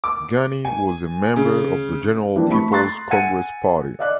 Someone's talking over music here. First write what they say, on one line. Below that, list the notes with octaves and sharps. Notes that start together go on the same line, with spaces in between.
Ghani was a member of the General People's Congress party.
D6
G#5
C#3
E3 F3 G3 A#3 C4 D4
A3 B5 C#6
A#5 C6 F#6 A6
F#5 G#5 G#6 C#7 D#7
D5 D#5 F5 D6 F#6